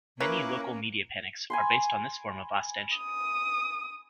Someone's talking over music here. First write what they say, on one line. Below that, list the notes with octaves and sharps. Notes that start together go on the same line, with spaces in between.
Many local media panics are based in this form of ostension.
A#3 C#4 E4 A#4 B4 C#5 D6 F#6
G#5 B5 C6
D#6